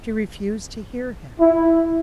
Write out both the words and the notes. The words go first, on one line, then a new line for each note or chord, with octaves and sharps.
She refused to hear him.
E4